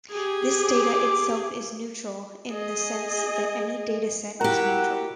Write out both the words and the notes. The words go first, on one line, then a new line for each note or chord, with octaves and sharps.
This data itself is "neutral" in the sense that any dataset is neutral.
G4 G#4
D6
G#4 D#5
E4 F#4 G4 A#4 F#5 A#5